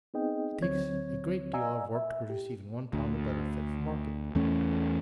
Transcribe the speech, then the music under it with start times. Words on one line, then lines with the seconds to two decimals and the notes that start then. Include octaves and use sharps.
It takes a great deal of work to produce even one pound of butter fit for market.
0.14 B3 C4 D#4 G#4 D#5 G5
0.62 D2 D3 F#3 C4 C#5 G#6
1.53 D5 D#5 F5 G#5 A#5 E6
1.95 E5
2.30 G4
2.93 D2
4.35 E2 A3 C#4